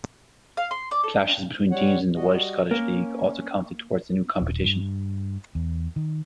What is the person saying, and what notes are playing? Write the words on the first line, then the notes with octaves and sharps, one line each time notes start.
Clashes between teams in the Welsh-Scottish League also counted towards the new competition.
F5
C6
D5
A4
G3 C#5 F#5
G3 F#4 D#5
A#3 C#4
D#1
G2
E2
D#3